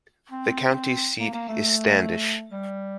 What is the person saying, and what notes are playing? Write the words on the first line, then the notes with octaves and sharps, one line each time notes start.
The county seat is Standish.
C4
A#3
A#3
A3
G3